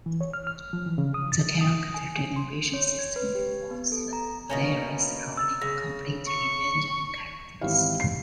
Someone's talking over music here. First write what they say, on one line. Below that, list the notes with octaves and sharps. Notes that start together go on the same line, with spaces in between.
The character generation system involves players rolling completely random characters.
E3
C#5
F6
F6
F3
E3
C#3
D#6
A6
D#6
G#5
C6
C#5
G#6
B4
G4
B3
A4
A#5
B2 A#3 C#4
E6 A6
C#3 A#6
C#6
G#1 E3 E4 G4 F5
C7